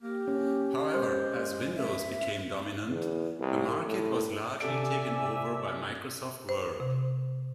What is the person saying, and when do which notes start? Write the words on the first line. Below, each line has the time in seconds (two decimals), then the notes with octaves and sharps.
However, as Windows became dominant, the market was largely taken over by Microsoft Word.
0.02 A#3 G4
0.28 A#3 C#4
0.94 G#3 C5
1.77 E5
2.88 E2
3.40 C2
3.85 A2
4.60 C3 A4 D5 E5 G#5 D7
6.49 C5
6.80 C3